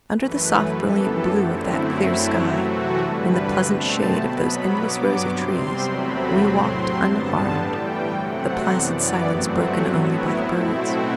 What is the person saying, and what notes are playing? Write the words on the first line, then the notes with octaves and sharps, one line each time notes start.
Under the soft brilliant blue of that clear sky, in the pleasant shade of those endless rows of trees, we walked unharmed, the placid silence broken only by the birds.
F#2 E3 A3 B4
B4
F#2 E3 B3 A4
G4
F#2 D3 A3 C4 E4
F#4
F#2 F#3 A3 C4 E4
E4
C3 E3 A3 F#4
A4
G2 D3 G3 B4
B2 A3 C4 A5
B2 F#3 B3 B5
G2 F#3 B3 D6
C3 G3 C4 C6
E2 C3 F#3 A3 C4 B5
A2 F#3 C4 C6
G2 D3 G3 B3 A5
A2 E3 G3 G5
C3 F#3 A3 C4 F#5
F#2 E3 B3 D5
G2 F#3 A3 C4 F#4
F#4
A2 F#3 B3 E4
B2 A3 C4 E4
F#4